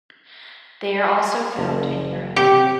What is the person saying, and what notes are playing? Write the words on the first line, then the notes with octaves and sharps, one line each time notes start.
They are also found in Europe.
F#1
C3 G4